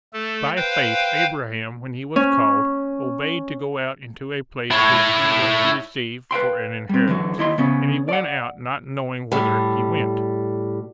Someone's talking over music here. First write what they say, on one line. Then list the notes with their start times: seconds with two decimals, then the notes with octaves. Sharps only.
By faith Abraham when he was called, obeyed to go out into a place which he was to receive for an inheritance; and he went out not knowing whither he went.
0.13 A3 A4
0.56 B4 C5 F5 G5
2.16 C#4
4.71 E4 C#5
6.31 B4 F5 G5 C6
6.89 G3 C4
7.08 D3 E3 F#3
7.38 D#2 E4 D#5 C6
7.58 C#3 B3 C#4
8.09 D5 F#5
9.32 A2 G3